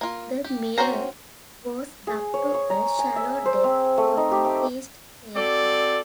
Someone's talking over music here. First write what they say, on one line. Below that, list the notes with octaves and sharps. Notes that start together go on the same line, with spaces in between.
The Meare was dug to a shallow depth for increased safety.
A#3 F4
G4
C4 C#4 F#4 C5 A#5
G#4
C#5
C#6
A#5
G#5
E5
C5
C4
A3
D#4
G4
G5
C4 F#4 A4 D5